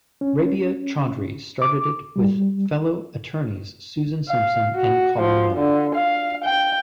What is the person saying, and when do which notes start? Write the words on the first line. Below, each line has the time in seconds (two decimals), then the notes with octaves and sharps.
Rabia Chaudry started it with fellow attorneys Susan Simpson and Colin Miller.
0.21 C#4
1.62 D6
2.16 G3
4.29 F5
4.75 F#4
5.20 F3
5.56 D3
5.95 F5
6.44 G5